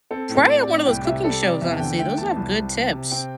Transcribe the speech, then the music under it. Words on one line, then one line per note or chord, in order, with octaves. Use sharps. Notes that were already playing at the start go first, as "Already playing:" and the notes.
Probably one of those cooking shows, honestly, those have good tips.
C4 A4
A2
A4
C4
D5
A2
C2 G5
C3 E5
G3 A4
C3 D5
E2 E5
A5
D3 G5
A3 G5
E2 A5
C2
C3
C3
C3
C4 G5